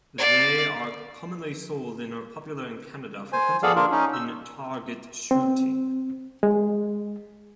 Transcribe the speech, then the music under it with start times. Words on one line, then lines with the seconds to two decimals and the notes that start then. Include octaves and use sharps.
They are commonly sold and are popular in Canada for hunting and target shooting.
0.18 D5 F5
3.33 C5 G#5
3.63 B3 G#4 A4 D5 F5
3.76 A#3 D4 F4 A#4
3.92 C#4 D#4
4.13 E6
5.31 C4
6.43 G#3